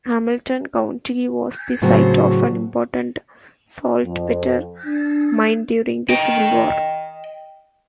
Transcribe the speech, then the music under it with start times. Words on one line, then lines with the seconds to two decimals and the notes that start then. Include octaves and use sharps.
Hamilton County was the site of an important saltpeter mine during the Civil War.
1.82 A2 C#3 F#3 C4 F#4
4.05 F2
4.86 D4
6.10 D#5 G5